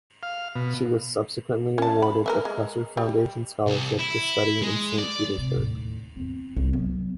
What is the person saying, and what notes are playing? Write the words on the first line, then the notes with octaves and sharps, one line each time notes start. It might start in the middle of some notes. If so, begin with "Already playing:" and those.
She was subsequently awarded a Presser Foundation Scholarship to study in Saint Petersburg.
F5
B2
C#4 A5
B5
A#4 B4 E5
G#3
G3
C2
E4
G#3
D5
C3
D#2 A2
E2 C4
C2
F#3 B3